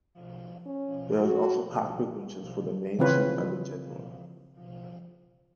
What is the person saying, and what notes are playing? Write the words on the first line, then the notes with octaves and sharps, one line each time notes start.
There are also cockpit winches for the mainsheet and the genoa.
C#4
F#4
C#3 E3 C4 F4 B4 C#5